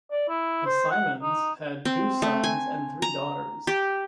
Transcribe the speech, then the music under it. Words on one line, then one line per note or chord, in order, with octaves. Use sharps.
The Simons had two sons and three daughters.
D5
E4
C5
F#5
D#4
C4
A3
G#5
A#5
G4